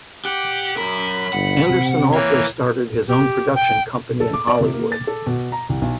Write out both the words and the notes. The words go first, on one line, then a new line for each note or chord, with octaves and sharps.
Anderson also started his own production company in Hollywood.
G4 F#5
F#2 A#4 B5
G1 F#5
C3
E3 A#3 C#5
G4
G5
A4
D6
D5
C3
A#3
A6
A4
B2
A#5
C2
B1